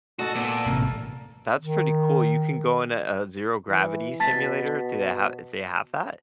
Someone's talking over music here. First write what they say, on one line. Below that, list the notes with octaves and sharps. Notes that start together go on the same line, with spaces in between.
That's pretty cool. You can go in a a zero gravity simulator; do they have did they have that?
F#4 A4 D#5 A5
A#2 B3 F#5
A1 C3 A#3
D#3
E3
B2 A5 A6 B6